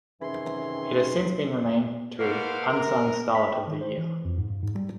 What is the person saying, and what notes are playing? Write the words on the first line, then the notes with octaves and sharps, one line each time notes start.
It has since been renamed to "Unsung Starlet of the Year".
F#2 C3 D#3 E3 C#4 G#4 C6
B2 A#3 B3 A#4 C5 F5
A#4
B6
G5
D#3
C5
E3
F2
G#2
G2
G#2
G3